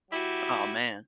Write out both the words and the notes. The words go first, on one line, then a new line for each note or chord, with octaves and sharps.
Oh, man,
F#3 E4 F#4 G4